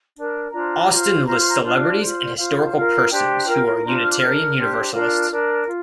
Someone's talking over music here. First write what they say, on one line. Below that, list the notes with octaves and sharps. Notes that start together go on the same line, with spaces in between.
Austin lists celebrities and historical persons who are Unitarian-Universalists.
D4 A#4
D4 F4 C5 A#5
F4 C5
F4 C5 A#5
C6
A#5
D4 F4 C5 D5
F4 C5
D5
F4 C5 F5
F4 A#4
D4 G4 C5 G5
F4 A#4
D4 F4 C5 A#5
F6
D6
D4 A#4 F6
D4 G4 C5
D4 F4 A#4 F5
D4 A#4
F4